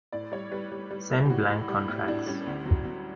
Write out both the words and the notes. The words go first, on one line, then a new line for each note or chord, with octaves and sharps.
Send blank contracts.
A2 D5
G3 C#5
G3 B4
G3
G3
G3
G4
A2 F#4
A2
G3
A2 E4
A2 D4
G3 C#4
D2
F#3
F#3